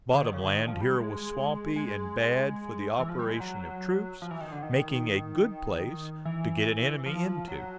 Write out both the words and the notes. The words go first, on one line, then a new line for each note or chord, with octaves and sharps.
The bottom land here was swampy and bad for the operations of troops, making a good place to get an enemy into.
D3
D#3
C#3
D3
D#3
F3
G3
G#3
G#3
E3
F3
G3
G#3
F#3
F3
E3
D#3
D3
D#3
E3
F3
F#3